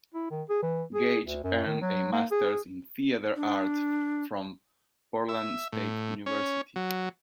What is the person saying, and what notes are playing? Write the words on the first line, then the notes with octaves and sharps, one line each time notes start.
Gage earned a masters in theater arts from Portland State University.
E4
D#3
G#4
E3
G#4
D2
F#2
D#3
F#3
A#3
G#4
D4
E5
A2
C#4
F#3